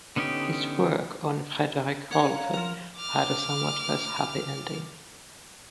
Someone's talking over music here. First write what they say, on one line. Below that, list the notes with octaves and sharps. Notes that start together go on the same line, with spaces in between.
His work on Frederick Rolfe had a somewhat less happy ending.
D3 B3 C#4 D#4 G4
C#4 A#4 F#5
C#5 F5 A#5
F3 A#4
D6 F6